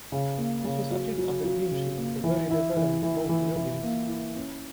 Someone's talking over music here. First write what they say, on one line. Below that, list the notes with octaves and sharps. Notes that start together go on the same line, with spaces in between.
This was achieved under deanship of the Very Reverend Boak Jobbins.
C#3
A#3
C#3
F#3
F#3
F#3
C#3
A#3
E3
E4
E3
E3
E3
E3
A#3
E4
C#4